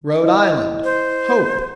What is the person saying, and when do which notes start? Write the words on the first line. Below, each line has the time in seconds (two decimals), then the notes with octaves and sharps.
Rhode Island--Hope.
0.23 E4 D#5
0.84 C5